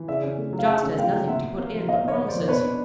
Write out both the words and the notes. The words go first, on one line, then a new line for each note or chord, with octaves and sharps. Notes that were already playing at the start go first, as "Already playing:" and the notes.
Jost has nothing to put in but promises.
Already playing: E3
C#3 D5 E5
C#4
A3
F#3
F5
C#3 E5 F#5
C#4
A3 F5 G5
F#3
A#2 E5 F#5
A#2
A#3
F3
A#2 D#5 F5
A#2 C#5 D#5
A#3
C5 D5
F3
D5
B2 B4 C#5
D4